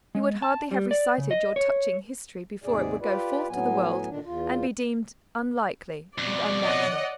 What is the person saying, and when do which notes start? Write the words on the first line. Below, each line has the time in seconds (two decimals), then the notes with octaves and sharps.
You would hardly have recited your touching history before it would go forth to the world, and be deemed unlikely and unnatural.
0.15 G#3
0.42 A5
0.71 G3
0.91 D5
1.18 C#3
1.31 D#5
1.56 C#5
2.64 D#2 G#2 C3 G#4 D5
3.01 F4 G4 B4 D5
3.49 A2 F#3 B3 G#5
4.09 A#2 D3 D#3 D4
4.25 E2 F4
6.18 F2 B2 D5
6.62 C#5 D#5 F#5